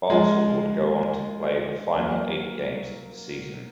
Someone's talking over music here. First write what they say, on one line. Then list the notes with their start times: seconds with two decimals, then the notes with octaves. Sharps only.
Bartel would go on to play the final eight games of the season.
0.10 F3 G#3
1.96 F#3 A#3